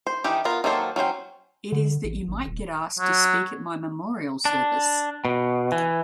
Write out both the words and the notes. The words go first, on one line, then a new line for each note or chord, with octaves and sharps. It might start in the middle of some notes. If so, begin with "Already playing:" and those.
It is that you might get asked to speak at my memorial service'.
C5
D#3 E3 D#4 G4
B3 F4 A#4
D#3 F#3 A#3 A4 C5
F#3 C#4 C5 G5
D3
A1
G#1
D#1
F#3
D4
B2
E3